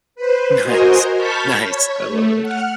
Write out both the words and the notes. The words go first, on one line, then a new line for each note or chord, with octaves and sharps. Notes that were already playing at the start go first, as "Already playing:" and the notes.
Nice, nice, I love it.
B4 C5
F#4 A#4 C5 D#5 G#5
A5 B5 C#6 F6 G6 B6
C#5
A3
F#5 F6